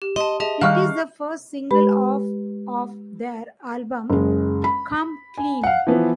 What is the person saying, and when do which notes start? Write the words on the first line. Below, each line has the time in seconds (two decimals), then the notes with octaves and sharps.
It is the first single off of their album "Come Clean".
0.02 G4
0.16 D#5 A5 C6
0.40 G#4 D#5 E5 A5
0.61 D#3 G3 D#5 F5 C#6 F6 F#6
1.71 G#3 G4 B4 B5
4.10 F#1 G#3
4.64 B5
5.38 G#5
5.63 F5 F#5
5.87 E3 F3 B3